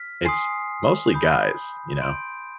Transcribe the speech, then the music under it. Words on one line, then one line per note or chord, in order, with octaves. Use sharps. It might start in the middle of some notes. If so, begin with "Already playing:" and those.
it's mostly guys, you know,
Already playing: F6 B6
G#5 C6 D#6 C7
B5 D#6 G6
C6 G6 D7